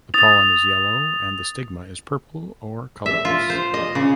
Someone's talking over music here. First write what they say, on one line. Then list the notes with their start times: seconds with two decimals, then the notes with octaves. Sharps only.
The pollen is yellow and the stigma is purple or colourless.
0.14 D#6 A6 F7
3.06 E5
3.25 F4
3.50 C5
3.74 D#5
3.95 C#3